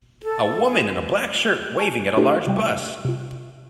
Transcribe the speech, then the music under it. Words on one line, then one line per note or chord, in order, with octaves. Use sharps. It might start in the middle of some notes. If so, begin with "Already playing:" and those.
A woman in a black shirt waving at a large bus.
A4
G#4
G#5 A5 C#6
A3 D4 E4 G4 A4 B4
C3 G3 G5
C3 F4